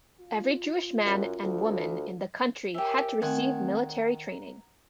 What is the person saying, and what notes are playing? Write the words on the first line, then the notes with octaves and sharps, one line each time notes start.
Every Jewish man and woman in the country had to receive military training.
F4
F#2
D2
G4 A#4 C#5 E5 G#5
D#3 A3 C4 F5 F#5 G#5
A#5